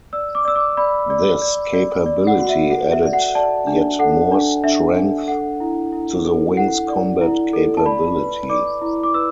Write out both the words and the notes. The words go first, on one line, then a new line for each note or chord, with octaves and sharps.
This capability added yet more strength to the wing's combat capability.
D5 E6
D6
D5 E6
D6
D5 B5
D5
D5
D5
D5
F#5
F#4
E5
A4 F#5
E5
D5
F#5
D5 A5
D4
A4 F#5
D4
D4 E5
D4
A4 F#5
E4
E4
A4
E4 F#5
D5
E4
A4
A5
D5 B5
B4
D5 D6
E4
D6
B4 E6